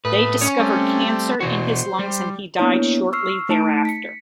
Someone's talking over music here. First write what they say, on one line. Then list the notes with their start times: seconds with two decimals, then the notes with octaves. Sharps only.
They discovered cancer in his lungs and he died shortly thereafter.
0.05 A2 B4 D#6
0.41 C#4 C#5
0.59 G3 A3 C4
1.40 B2 E3 F#4 C5
1.99 G3
2.59 A#3 B3 D4 E4 C#5
3.13 C#6 E6 F6 C7
3.49 A3 D#4 A5 D7
3.85 B6 C#7